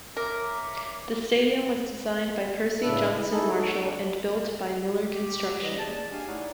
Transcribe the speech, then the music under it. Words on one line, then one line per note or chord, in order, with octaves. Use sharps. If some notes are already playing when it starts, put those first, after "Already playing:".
The stadium was designed by Percy Johnson-Marshall and built by Miller Construction.
A#4 C#5 E5 D6
A2 C#3 D4 B4 E5
E4
A3 D#4 E4 G#4 A4
F#4 A4
F#3 D4
G4
E3 G3 E4 B4 D#5
G4 G#4 D5 A5
D4 G4 F5 G#5
A3 D#4 E4 C#5 D5 F#5